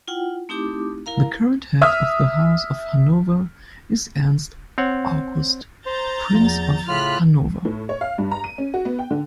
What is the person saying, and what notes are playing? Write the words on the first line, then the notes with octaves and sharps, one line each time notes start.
The current head of the House of Hanover is Ernst August, Prince of Hanover.
E4 F4 F#5 G5
A3 C4 D#4 E4 G4 D6
E4 A#4 F5 A#5
E5 D#6 F6
C4 C#5 F#5
C5 A#5 G6 A6
E2 F3
A2 C#3 F4 F6 F#6 B6
A2
C#5
F5
G2
A#5
D#7
C#4
F#4
B3
G5
D3